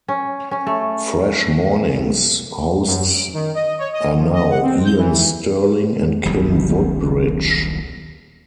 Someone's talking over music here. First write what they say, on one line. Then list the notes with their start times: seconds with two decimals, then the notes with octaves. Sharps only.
Fresh Mornings hosts are now Ian Sterling and Kim Woodbridge.
0.09 C#4
0.51 C#4
0.67 A3
2.86 F#2
3.10 D7
3.33 D#3
3.54 D#5
3.78 C#5
3.93 D#5
4.18 F3
4.33 D#5
4.50 F#5
4.62 C4
4.85 G6
4.97 E3
6.25 D#1 B1 G3